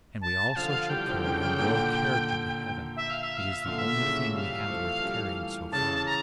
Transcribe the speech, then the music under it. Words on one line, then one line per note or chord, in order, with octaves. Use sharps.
And we also shall carry our moral character to heaven; it is the only thing we have worth carrying so far.
A5
D3 F3 F5
E3 G3 G5
D3 F3
C#3 E3
C#3 E3
A#2 D3
E5
F5
E5
F5
E5
A#2 D3 F5
E5
C#3 E3
E3 G3 F5
F3 A3
E3 G3
C#3 E3 A5
A#5